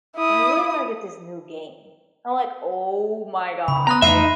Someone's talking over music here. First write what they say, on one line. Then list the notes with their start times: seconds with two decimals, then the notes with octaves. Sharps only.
but I really wanna get this new game." I'm like, "Oh my god, like,
0.17 E4 D#6
3.68 C#3 B5
3.87 B3 A#5 C6 D#6 F#6 A#6
4.02 F2 E3 A3 D#4 E5 B5 C7 D#7